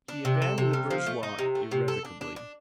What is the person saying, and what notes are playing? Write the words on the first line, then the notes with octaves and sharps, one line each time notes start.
He abandoned the bourgeoise irrevocably.
D4
C3
A4
C3
G3
F3
A3
D#4
C3
A3
C3
A4
D4
D4
D4